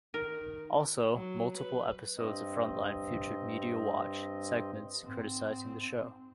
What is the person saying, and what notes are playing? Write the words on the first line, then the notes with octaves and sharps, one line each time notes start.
Also, multiple episodes of "Frontline" featured "Media Watch" segments criticising the show.
D#3 A#4
F#3
B4
G2 C4 D#5
G#2 C4